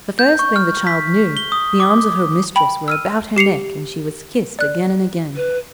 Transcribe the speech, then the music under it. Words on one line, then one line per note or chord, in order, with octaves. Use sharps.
The first thing the child knew the arms of her mistress were about her neck and she was kissed again and again.
G6
C#6
F6
B6
G7
D#6
D6
G5 B5
E6 F6 D#7
G4 C7 C#7 F7
D5 F#6
B4